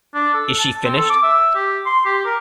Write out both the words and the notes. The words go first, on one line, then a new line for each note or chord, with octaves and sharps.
Is she finished?
D4
A4
A5
C4
A4
D6
E5
G4
C6
G4
A#4